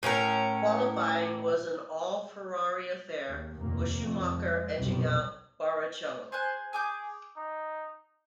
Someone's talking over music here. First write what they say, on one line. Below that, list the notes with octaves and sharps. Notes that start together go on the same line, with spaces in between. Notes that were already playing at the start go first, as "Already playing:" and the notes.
Qualifying was an all Ferrari affair, with Schumacher edging out Barrichello.
A2 C#4 E4 A#4
D#2
F1 D#2 A#2 A#3
F2
G#3
F#1 B1 C3 G3
G#4 C5 G#5 F#6
G#4 G#5 D6 G6
D#4